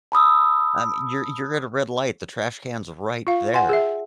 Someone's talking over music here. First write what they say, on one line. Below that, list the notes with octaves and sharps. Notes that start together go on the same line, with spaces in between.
Um, you're you're at a red light, the trash can's right there.
A5 B5 D#6 E6
F4 F5
F#5 G#5 C6
G#4 E5